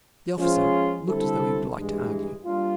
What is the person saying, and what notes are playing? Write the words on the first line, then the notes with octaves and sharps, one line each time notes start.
The officer looked as though he would like to argue.
F3 G#3 C#4 F4
D3 G3 C4 E4 A4
G2 E3 G#3
G3 A#3 D4 F4